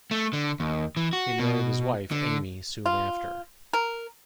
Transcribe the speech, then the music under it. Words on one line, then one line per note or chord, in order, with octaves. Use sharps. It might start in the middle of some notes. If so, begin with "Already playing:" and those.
He married his wife, Amy, soon after.
A3
D3
D#2
E3
F#4
B2
D3
F4
A#4